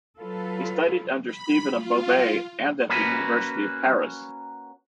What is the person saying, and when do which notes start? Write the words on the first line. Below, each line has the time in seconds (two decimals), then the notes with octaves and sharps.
He studied under Stephen of Beauvais and at the University of Paris.
0.19 F#3 F4 A4 B4
1.26 B5
1.74 F4
2.89 A#3 C#4 F#4 B4